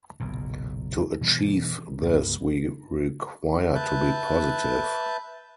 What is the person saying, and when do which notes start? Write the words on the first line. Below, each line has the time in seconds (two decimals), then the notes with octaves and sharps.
To achieve this, we require to be positive.
0.20 F#1 B1 A#2
1.21 B2 E3 F#3 G3
2.02 C#2 G2 G#3 B3
3.75 B4 E5 A5 F#6 G6